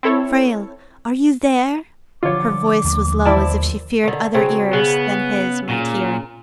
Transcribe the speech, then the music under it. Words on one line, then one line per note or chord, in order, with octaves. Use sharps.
"Frale, are you there?" Her voice was low as if she feared other ears than his might hear.
C4 E4 A4 C#5
D3 F3 D4 F4 C#5 D6
D#2 A3 A#3
D#1 E4 C5 D5 A5 E6
D3 D#3
C#3 F#3 C4
C#3 B3
A#2